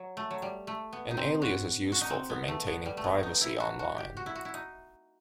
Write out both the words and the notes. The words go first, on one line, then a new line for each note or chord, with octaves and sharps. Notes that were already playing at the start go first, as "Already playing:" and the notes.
An alias is useful for maintaining privacy online.
Already playing: F#3
A3
F#3
G3
A3
B3
D#4
C4
F#4
F#4
D#4
C4
B3
A3
B3
G3
A3
B3
D#4
E4
F#4
F#4
G4
F#4
E4
F#4
E4
D#4